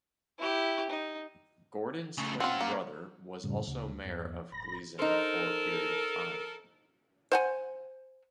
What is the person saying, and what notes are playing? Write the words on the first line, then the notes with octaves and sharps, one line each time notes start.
Gordon's twin brother was also Mayor of Gleason for a period of time.
E4 G4
D#4
C#3 A3
C4 C#4 F4 F#5
A#3
F#2 A2 C#3 G3
D2 C#3
E2 G2
D1 B5 A#6
D#4 A4 A#4 C5
C5 F#5 G#5